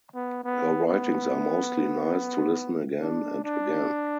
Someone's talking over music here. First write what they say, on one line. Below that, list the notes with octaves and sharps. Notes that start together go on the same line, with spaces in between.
Her writings are mostly nice to listen again and again.
B3
B3
B3
D4
D4